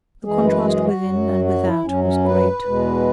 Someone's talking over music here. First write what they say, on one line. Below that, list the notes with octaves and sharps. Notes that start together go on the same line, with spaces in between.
The contrast within and without was great.
F#2 E3 G#3 G#4
B4
G#4
F#4
F#2 F#3
F#4
E4
F#2 F#3 C#4
C#4
B4
E2 B2 G#3